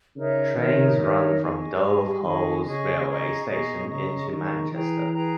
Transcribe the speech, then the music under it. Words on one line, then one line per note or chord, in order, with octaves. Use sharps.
Trains run from Dove Holes railway station into Manchester.
C#3 D#4 A#4 C#5 E5
D#3 D#4 A#4 C#5 E5
D#4 A#4 C#5 E5
G#4 D#5 G#5 C#6
G3 G#4 D#5 G#5 C#6
D#3 G#4 D#5 G#5 C#6
C#3 G#4 D#5 G#5 C#6
G#4 D#5 A#5 C#6
B2 G#4 D#5 A#5 C#6
C#3 G#4 D#5 A#5 C#6
D#3 G#4 D#5 A#5 C#6
E3 G#4 B4 G5 A#5
G#4 B4 G5 A#5